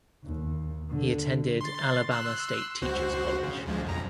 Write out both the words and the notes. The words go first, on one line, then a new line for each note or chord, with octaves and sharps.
He attended Alabama State Teachers College.
D#2
D3
C6 A6
C6 E6 F#6
C#2 F#4 C5
C#3
D2 F3 G#3
B1 F2 A#5